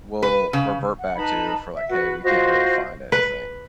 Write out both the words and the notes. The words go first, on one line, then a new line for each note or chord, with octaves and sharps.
we'll revert back to if we're like, "Hey, we can't really find anything."
B4
C#3
F#5
D#4 B4 A5 B5
E5
F#4 B4 F#5
F4 F#4 C5 D#5
B4